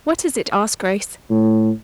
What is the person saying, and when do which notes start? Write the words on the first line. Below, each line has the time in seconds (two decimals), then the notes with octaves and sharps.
"What is it?" asked Grace.
1.30 A2